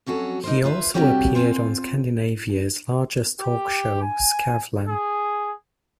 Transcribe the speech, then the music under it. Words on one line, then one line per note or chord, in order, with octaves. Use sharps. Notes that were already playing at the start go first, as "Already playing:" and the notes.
He also appeared on Scandinavia's largest talkshow "Skavlan".
F2 F#3 C#4 F#4 A4
D#4 A#4 C5
F4 B4 C5 E5
C3 D#3 G3 F#4 G4 C#5
C4 F4 G#5
G4
G#5
G#4